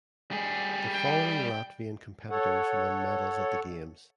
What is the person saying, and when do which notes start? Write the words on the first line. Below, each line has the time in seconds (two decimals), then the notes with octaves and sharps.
The following Latvian competitors won medals at the games.
0.31 G3 G#4
0.93 G5
2.30 A4 C#5 F#5